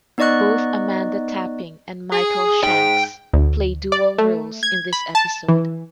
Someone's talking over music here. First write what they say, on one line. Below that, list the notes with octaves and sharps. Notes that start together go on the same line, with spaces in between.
Both Amanda Tapping and Michael Shanks play dual roles in this episode.
B3 D#4 D5 D#5 C#6 F#6
G#4
G#2 G5
D2
D5
A3
G#6
B5
A5
E3